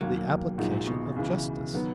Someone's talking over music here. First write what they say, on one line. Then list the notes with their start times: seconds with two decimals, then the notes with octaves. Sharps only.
"The application of justice."
0.01 E1 D#2 D#3 F#3 A#3
0.58 A#1 A#2 G#3 D#4 F#4
0.87 B2
1.16 C#2 C#3 E3
1.73 D#3 F#3 B3